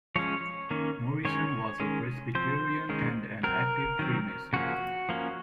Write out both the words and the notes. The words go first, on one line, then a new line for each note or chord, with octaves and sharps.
Morrison was a Presbyterian and an active freemason.
F3 G#3 C#4 C#5
D#3 A#3 C#4
D#3 G#3 C#4 C#5
D#3 G#3 C#4
F3 C4 C5
D#3 G#3 C#4
F#3 C4 A#4
D#3 F#3 C4
C#3 F3 A#3 C#4 F#4
F3 A#3 C#4